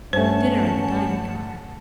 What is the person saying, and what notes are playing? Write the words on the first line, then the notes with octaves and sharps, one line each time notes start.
Dinner in the dining-car.
G2 A3 C#4 C5 F#5 A5